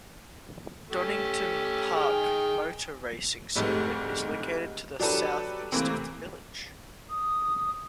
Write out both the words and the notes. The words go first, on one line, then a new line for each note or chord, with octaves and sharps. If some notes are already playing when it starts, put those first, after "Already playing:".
Donington Park motor racing circuit is located to the south east of the village.
A3 C#4 G4
D#3 G#4 G5 F6
F1 G#2 G3 A3
F#3 D4 G4 A4 B4
C3 E3 A3 A#3 C4
D#6